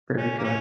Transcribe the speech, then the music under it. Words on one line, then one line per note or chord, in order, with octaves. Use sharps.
Very good.
C#4
A#3
C#4